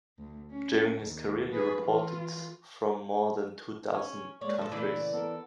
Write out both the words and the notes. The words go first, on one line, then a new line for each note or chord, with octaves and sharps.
During his career, he reported from more than two dozen countries.
D2
C#4
D#2
G#4 B4
E3 F4
C#4
G#3 A#3 C#5 D5
A2 F3 A4
A#2 C#3 E3 A3 E4 D5
B3 A4 A#4